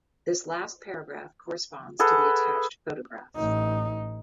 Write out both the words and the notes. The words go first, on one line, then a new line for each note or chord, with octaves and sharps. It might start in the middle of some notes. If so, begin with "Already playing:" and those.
This last paragraph corresponds to the attached photograph.
G#4 A4 B4 F#5
A1 D#4